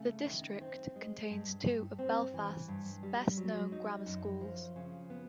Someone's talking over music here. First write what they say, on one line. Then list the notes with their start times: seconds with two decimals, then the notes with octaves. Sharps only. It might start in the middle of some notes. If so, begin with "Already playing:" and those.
The district contains two of Belfast's best known grammar schools.
Already playing: C#3 A3
0.26 D#3
0.61 C4
0.96 G#3
1.30 G2
1.64 G2
1.99 C4
2.34 E3
2.68 G2
3.03 G3
3.37 F#3
3.72 D#4
4.06 F#2
4.41 F3
4.76 C#3
5.10 B3